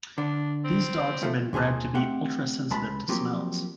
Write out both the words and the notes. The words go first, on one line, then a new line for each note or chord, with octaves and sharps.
These dogs have been bred to be ultra sensitive to smells.
D3 D4
C4
C#2 F3 A3
D#2 A#2 G#4 C5 A5
A3 C4 G4 F#5 G5
C#2 G#3 A5 B5
F3 F#3 A#3 C4 G4